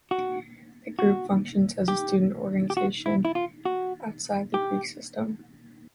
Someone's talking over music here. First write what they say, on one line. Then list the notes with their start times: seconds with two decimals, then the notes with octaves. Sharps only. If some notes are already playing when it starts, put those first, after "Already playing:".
The group functions as a student organization outside the Greek system.
0.11 F#4
0.99 F#4
1.88 G4
2.70 G4
2.77 F#4
3.06 E4
3.25 E4
3.35 F4
3.65 F#4
4.54 G4